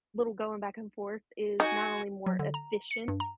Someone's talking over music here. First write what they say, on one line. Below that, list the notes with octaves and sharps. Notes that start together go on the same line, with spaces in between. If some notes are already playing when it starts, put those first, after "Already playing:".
little going back and forth is not only more efficient
D#4 F#4 G#5
F#3
D3
A#5
C#7
G2
A#5